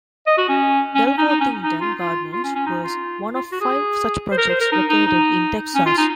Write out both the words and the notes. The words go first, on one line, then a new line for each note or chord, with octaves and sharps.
Dalworthington Gardens was one of five such projects located in Texas.
D#5
F#4
C#4
C#4
C#4
D#4
D#4
C#4
D#4
F4
F4
F4
C#4
C#4
D#4
F4
F4
F#4
G#4
C5
A#4
C5
A#4
D#4
D#4
D#4
C#4
F4
D#4